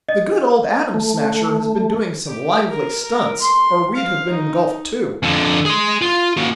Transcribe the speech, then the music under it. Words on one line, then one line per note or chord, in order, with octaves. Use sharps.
The good old Atom Smasher has been doing some lively stunts, or we'd have been engulfed too.
D#5
A3
G4
A#4
A#4
C6
F5
D#4
F2 D3
G#4 C6
F4
A#3 F#4